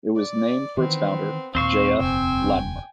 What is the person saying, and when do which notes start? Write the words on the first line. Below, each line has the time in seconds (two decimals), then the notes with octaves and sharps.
It was named for its founder, J. F. Latimer.
0.17 D5
0.77 D#3 E3 B3 C4
1.55 D#2 A#2 C4 C5 F5 C#6
2.00 D#1 F2 C3 G5 G#5